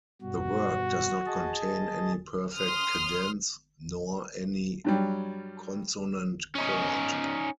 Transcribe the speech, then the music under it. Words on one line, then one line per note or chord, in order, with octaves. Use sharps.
The work does not contain any perfect cadence, nor any consonant chord.
G2 B2 F#4
G#4 D#5 A5
C6 D#6 F6
G2 F#3 G3
C#4 D#4